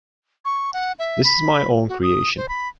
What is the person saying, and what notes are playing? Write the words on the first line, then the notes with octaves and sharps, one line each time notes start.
This is my own creation.
C#6
F#5
E5
B5
F#4
D#6
C5
B5